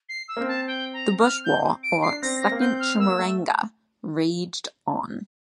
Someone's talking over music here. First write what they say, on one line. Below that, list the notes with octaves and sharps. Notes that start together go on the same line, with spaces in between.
The Bush War or "Second Chimurenga" raged on.
C7
E6
A#3
C4
A5
G5
A#5
F6
G6
D7
C7
D4
C4 A#6
A#6
A#3
C4 G6
F6
A#3 E6
A3